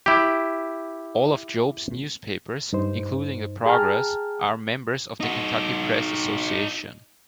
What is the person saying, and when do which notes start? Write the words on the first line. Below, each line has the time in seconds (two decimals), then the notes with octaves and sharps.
All of Jobe's newspapers, including the Progress, are members of the Kentucky Press Association.
0.06 E4 G4
2.73 G2 D#4 C5
3.66 G#4 G5 A5 A#5 F6
5.20 D#4 F#4